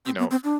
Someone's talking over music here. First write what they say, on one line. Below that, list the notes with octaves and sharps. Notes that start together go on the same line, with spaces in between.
you know, f
C4
B3
C4
D4